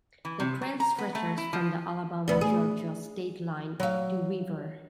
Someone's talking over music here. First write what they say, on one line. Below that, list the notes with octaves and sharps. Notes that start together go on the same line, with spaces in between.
The trail stretches from the Alabama-Georgia state line to Weaver.
E3
C3
F#3
A#5
B3
A3
E4
F3
D2 B3
G#4
F#3 F5